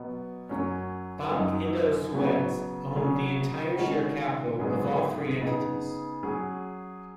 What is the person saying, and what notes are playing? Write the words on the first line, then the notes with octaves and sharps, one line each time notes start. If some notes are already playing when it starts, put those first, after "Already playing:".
Banque Indosuez owned the entire share capital of all three entities.
Already playing: B2 F#3 B3
F#2 F#3 C#4
F#2 F#3 D#4
C#3 F#3 B3 F#4
C#3 F#3 C#4 G#4
D#3 G#3 C#4 F#4
G#2 F#3 B3 G#4
C#3 B3 D#4 G#4
F#3 C#4 G#4